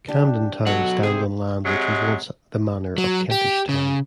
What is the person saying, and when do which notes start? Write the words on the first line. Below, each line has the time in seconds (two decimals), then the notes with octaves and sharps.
Camden Town stands on land which was once the manor of Kentish Town.
0.08 D4 G4
0.66 B2 F#3 A4 F#5
1.03 C3 C4 G#4 C5
1.65 C3 F#3 G#3
2.98 F#3
3.31 G4
3.69 C#3